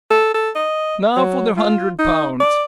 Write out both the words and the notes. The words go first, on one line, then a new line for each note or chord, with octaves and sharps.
Now for the hundred pounds.
A4
A4
D#5
F#3
F4
D#4
D5